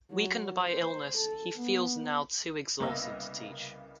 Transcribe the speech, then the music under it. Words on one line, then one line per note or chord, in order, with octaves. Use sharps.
Weakened by illness, he feels now too exhausted to teach.
F#3
C5
A4
B3
C2 C#3 A#3 B3 D#5 E6